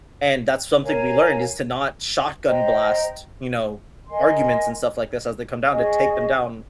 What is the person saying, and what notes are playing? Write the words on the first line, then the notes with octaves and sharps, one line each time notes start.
And that's something we learned is to not shotgun blast, you know, arguments and stuff like this as they come down to take them down
A#4 C#5 F5 G#5
C5 D#5 G5 A#5
A#4 D#5 G#5 C6
C#4 G#4 D#5 G#5